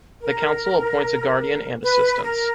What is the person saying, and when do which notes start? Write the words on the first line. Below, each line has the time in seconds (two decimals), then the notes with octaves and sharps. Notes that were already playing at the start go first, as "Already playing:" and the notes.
The Council appoints a guardian and assistants.
0.21 A#4
1.83 B4
2.24 A#4